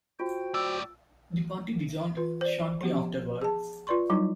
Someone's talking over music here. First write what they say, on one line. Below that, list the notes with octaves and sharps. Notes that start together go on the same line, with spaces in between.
The party dissolved shortly afterwards.
F4 F#4 C5 G5
A2 D5 E6
E3 F4 B4
C5 D5
F3 B3 G4
G#4 A5
F4 B4 D5 C6 C#6
F#3 G3 D#4 E4